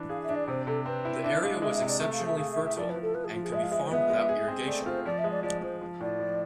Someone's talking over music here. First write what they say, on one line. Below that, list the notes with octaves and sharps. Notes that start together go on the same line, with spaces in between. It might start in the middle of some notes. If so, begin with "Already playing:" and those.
The area was exceptionally fertile and could be farmed without irrigation.
Already playing: E3 D4 B4
G#4 F5
E5
D4
D5
C3 C5
C3 A4
C4 B4
E4
D4 E5
G#3 F5
G#3 E5
F5
E5
C3
D5
A3 E5
F5
G#4
E5
G#4 F5
E5
E4
E5
F3 D5
B4
F3
A4
F3 B4
G#4
F3 F4
G#4
G#3 E5
F5
G#3 E5
C5
B3 E5
G#3
G#4
C4
A3 D5
F4 C5
F3 D5
E5
G#3
D5
F3 D5
F3 C5
F3
A2 D5
F3